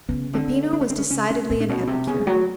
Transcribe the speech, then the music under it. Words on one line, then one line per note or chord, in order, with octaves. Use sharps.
Peppino was decidedly an epicure.
C#3 B3
D3 C4
D4
C#4
C4
C#4
C#3 C#4
C3 C#4
A#2 C4
D4
B2 C#4
C#4
C3 C4
C#3 B3
G#3
F#3 A3